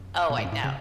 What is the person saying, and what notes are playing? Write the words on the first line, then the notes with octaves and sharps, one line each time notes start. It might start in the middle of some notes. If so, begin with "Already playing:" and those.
Oh, I know.
Already playing: F#2
B2
A2
F#2
A2
C#3